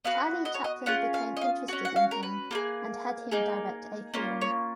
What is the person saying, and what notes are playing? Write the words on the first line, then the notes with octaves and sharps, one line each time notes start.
Charlie Chaplin became interested in him, and had him direct a film.
B3 F#4 F5
D#5
C#5
D#5
C#4 F4 G#4 F#5
F5
D#5
F5
C#4 F#4
F#5
F5
A#4
B4
A#3 F4 G#4
A#3 D#4 G#4
A#3 C#4 F4
C#5